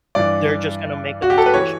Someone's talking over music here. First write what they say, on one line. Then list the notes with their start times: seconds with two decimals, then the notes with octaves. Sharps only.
They're just gona make a decision
0.15 G2 E3 D5
1.22 F#4
1.30 G4
1.38 A4
1.46 B4
1.54 E3 C#5